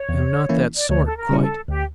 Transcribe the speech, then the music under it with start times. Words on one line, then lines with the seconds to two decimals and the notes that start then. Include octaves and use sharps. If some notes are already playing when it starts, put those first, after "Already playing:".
"I am not that sort--quite."
Already playing: C#5
0.09 E2
0.49 E3 A#3 C#4 E4
0.75 D5
0.89 D2 C#5
1.05 A4
1.16 A#4
1.29 C#3 G3 C#4 E4
1.42 A4
1.68 D2 G4